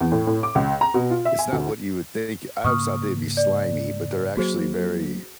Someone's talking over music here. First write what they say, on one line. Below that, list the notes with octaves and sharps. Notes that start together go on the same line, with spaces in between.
it's not what you would think, I always thought they'd be slimy, but they're actually very,
E2
A2
A2
D6
C#2
A#5
B2
F4
E5
G#5
D2
G#2 C#3 A#3 C#6 D#6 F6
D5
F#3 A#3 F#4 G#4 C5